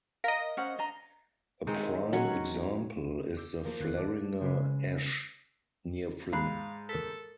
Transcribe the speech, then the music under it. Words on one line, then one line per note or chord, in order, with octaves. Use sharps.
A prime example is the Fleringer Esch, near Fleringen.
A#4 D#5 F5
C#4 C5 F#5
D4 D#5 A#5
D#3 G#3 C4
F#3 C#4 F#5
D6 E6 G6
F3 A#3 A#4 C5
D#1 F#6 A6 C7
D5 A5 D6
C#3 G#3 C#4 B4
G#2 F5 B5 F#6 C7
A4 A#4 B6